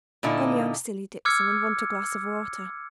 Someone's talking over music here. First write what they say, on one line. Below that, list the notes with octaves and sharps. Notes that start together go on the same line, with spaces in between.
Only I'm silly, Dixon, and want a glass of water.
A#2 D3 D#4 E4
D6 E6 F6 G#6 C#7